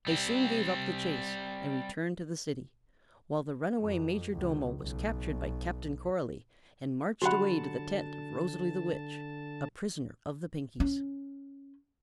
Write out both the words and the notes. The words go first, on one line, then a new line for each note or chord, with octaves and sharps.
They soon gave up the chase and returned to the City, while the runaway Majordomo was captured by Captain Coralie and marched away to the tent of Rosalie the Witch, a prisoner of the Pinkies.
G3 C4
F2
C#2
B1
D3 F#3 F#4 G4 F#5 A5 B5
C#4